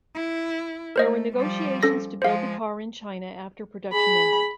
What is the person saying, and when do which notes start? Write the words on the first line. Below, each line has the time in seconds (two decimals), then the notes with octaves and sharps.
There were negotiations to build the car in China after production ended.
0.15 E4
0.96 A3 A#4 C5 D#5
1.37 F3 G3
1.83 C#4 A4 A#6
2.22 F3 G#3 C5 F5
3.93 G#4 B5